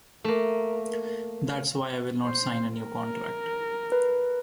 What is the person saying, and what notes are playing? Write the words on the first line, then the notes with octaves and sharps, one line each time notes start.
That's why I will not sign a new contract.
A3 A#3
C5
A#4
B4